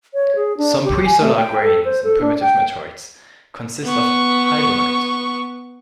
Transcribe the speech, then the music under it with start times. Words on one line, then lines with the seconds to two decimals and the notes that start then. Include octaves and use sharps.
Some presolar grains in primitive meteorites consist of hibonite.
0.14 C#5
0.36 G#4
0.57 D4
0.84 G4
1.06 G#5
1.20 A3
1.36 G5
1.62 A4
1.85 C5
2.04 A4
2.21 D4
2.41 G5
3.85 B3 C#6